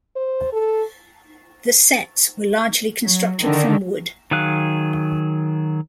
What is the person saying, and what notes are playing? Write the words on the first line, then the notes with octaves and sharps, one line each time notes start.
The sets were largely constructed from wood.
C5
A4
F#3
D3 D#3
D#3 F#3 G#4 F5 F#6